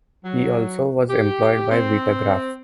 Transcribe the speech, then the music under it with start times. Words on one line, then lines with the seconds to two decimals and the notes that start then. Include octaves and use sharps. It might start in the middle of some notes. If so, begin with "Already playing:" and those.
He also was employed by Vitagraph.
0.24 F#3
1.09 G4
1.71 C4